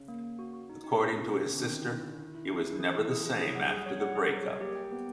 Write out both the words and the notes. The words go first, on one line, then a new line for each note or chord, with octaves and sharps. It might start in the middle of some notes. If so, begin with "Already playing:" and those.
According to his sister, he was never the same after the break-up.
Already playing: C#3
A#3
A#3
F#4
F#4
D#4
D#4
B2 E4
C3 C4
C#3 C4
D3 C4
D#3 C4
E4
E4
E4
E4
E4
E4
E4
E3 G#4
E4
E3
G#4
F3 E4
F#3 G#4
F#5
G3
G#4
C#5
G3 F#5
G#4
F#3 G#4
C#5
A#3 G4
G5
B3 G4